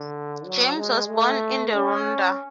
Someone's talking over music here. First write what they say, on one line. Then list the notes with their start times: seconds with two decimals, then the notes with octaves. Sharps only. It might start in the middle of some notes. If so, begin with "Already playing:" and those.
James was born in the Rhondda.
Already playing: D3
0.46 F#3
0.77 G#3
1.09 A3
1.73 C#4